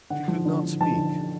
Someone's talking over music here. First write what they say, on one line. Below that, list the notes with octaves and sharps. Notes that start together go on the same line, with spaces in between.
She could not speak.
D3 F#5
F3
D3
D3
F3 A5
D3